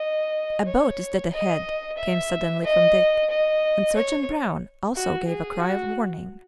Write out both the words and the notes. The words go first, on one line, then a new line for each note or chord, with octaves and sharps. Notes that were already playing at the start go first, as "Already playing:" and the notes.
"A boat is dead ahead!" came suddenly from Dick, and Sergeant Brown also gave a cry of warning.
Already playing: D#5
C#5
D#5
E5
D#5
D#5
C#5
F#4
G#4
F#4